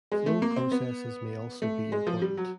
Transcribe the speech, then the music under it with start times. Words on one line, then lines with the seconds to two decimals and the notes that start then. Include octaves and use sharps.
Flow processes may also be important.
0.12 G#3
0.26 A3
0.42 A#3
0.56 C4
0.72 B3
1.62 A3
1.92 G#3
2.07 F3
2.22 G3
2.37 F#3